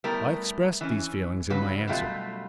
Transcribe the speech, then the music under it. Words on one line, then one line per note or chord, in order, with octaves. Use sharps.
I expressed these feelings in my answer.
G3 A3 B3 E4 A#4
E3 C#4
C#3 F#3 B4
F#2 B2 F#3 G3 A3 F4